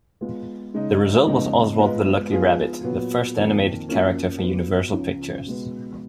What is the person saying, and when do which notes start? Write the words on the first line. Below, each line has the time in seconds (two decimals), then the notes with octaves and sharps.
The result was Oswald the Lucky Rabbit, the first animated character for Universal Pictures.
0.21 G#3 B3 F4
0.74 C#3 G#3 D#4
1.26 F2 C#3 G#3 B3 D#4
1.79 G#3 B3 F4 B4 D#5
2.32 F3 B3 F4 G#4
2.83 A#2 F#3 B3
3.36 F2 D#3 A#3
3.89 F#2 F3 A#3 C#4
4.41 F#3 B3 F4
4.93 C#2 C#3 F3
5.46 B2 G#3 B3